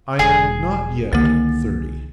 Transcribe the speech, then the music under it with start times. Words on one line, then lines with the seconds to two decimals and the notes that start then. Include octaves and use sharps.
'I am not yet thirty.'
0.19 E1 G#4
1.13 C2 D3 D#3 A#3 A6